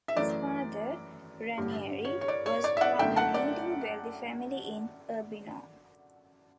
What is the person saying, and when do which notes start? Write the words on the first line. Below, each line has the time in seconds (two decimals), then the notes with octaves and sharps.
His father, Ranieri, was from a leading wealthy family in Urbino.
0.08 E5
0.16 F#2 E3 A3 D5
1.58 A1 G2 D3 G3
2.05 C#5
2.21 C#5
2.28 D5
2.46 C#5
2.64 D5
2.77 E5
2.81 D5 F#5
2.99 F#2 D3 A3 E5 G5
3.16 F#5 A5
3.34 D5